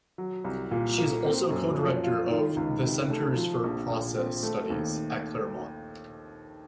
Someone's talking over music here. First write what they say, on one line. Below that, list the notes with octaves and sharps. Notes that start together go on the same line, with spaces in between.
She is also co-director of the "Center for Process Studies" at Claremont.
F#3
C2
A#2
A#3
C4
F#2
F3
F4
D#3
C#2
C3
A3
F3
A#1
A#2
C4
A3
D#2